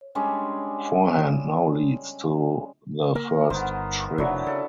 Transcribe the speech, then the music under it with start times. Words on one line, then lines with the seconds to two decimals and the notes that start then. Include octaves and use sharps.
Forehand now leads to the first trick.
0.15 G3 G#3 C#4 D4
3.15 A#3 A#4
3.50 G1 D#3 B3 C5
4.18 F1 F#3 D4 E4 A#4
4.47 C#3 A4